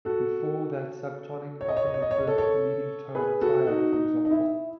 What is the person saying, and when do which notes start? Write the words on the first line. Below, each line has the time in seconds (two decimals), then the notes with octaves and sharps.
Before that subtonic often referred to the leading tone triad, for example.
0.05 F#4 A4
1.61 C#5
1.68 D#5
1.77 C#5
1.86 D#5
1.94 C#5
2.02 D#5
2.11 C#5
2.18 D#5
2.27 A4 C#5
2.38 A4 C#5
3.15 G#4 B4
3.41 F#4 A4
3.67 D#4 F#4
3.93 D#4
4.25 D#4
4.31 E4